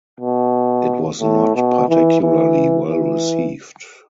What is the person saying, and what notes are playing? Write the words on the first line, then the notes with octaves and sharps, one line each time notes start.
It was not particularly well received.
B2
A2
B2
E3
E3
E3